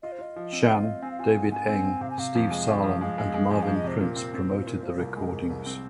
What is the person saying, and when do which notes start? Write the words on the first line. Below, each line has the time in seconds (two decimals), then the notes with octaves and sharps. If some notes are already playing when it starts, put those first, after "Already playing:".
Shan, David Eng, Steve Salem, and Marvin Prince promoted the recordings.
0.02 F4 D#5
0.12 C5
0.19 F4 D#5
0.36 F3
0.53 C4
0.69 F4
0.85 F4
1.02 C4 G#5
1.11 F5
1.19 F4 G#5
1.35 G#2
1.51 G#2 G#5
1.68 C4
1.84 C4
2.01 C3 F5
2.10 G#5
2.18 C3 F5
2.35 F2
2.51 G#3
2.68 F2
2.84 F2
3.01 G#3 F5
3.18 G#3
3.34 G#3
3.50 F2 G#5
3.62 F2 F5
3.75 D#5
3.84 C3 C5
4.00 A#2 A#4
4.16 C4
4.34 C4
4.50 A#2 C5
4.60 C5
4.67 A#2 A#4
4.83 A#2 C5
4.99 C2 A#4
5.17 G#3
5.33 C2
5.50 C2
5.66 C4